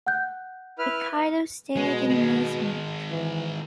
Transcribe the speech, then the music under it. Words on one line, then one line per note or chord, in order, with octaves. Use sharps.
Ricardo stared in amazement.
F#5 F#6 G6
E4 B4 F6
B2 G#3
D#3 G#3
E3